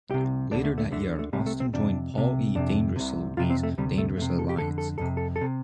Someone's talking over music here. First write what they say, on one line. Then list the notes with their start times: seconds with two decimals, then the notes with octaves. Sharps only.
Later that year, Austin joined Paul E. Dangerously's Dangerous Alliance.
0.09 C2 C3 G4
0.51 D2 D3 D4
0.64 A3
0.78 A3
0.91 D2 D3 A3
1.19 A3
1.33 C2 C3 G3
1.47 A3
1.60 C4
1.73 F2 C3 D4
2.14 C2 C3
2.55 F2 C3 D4
2.96 C2 C3
3.37 F2 C3 F4
3.50 C4
3.63 A3
3.78 D2 C3 G3
3.98 A3
4.18 F2 C3 A3
4.39 A4
4.49 G4
4.58 F2 D3 A4
4.78 A4
4.98 F2 C3 A4
5.17 A4
5.36 A4
5.41 C3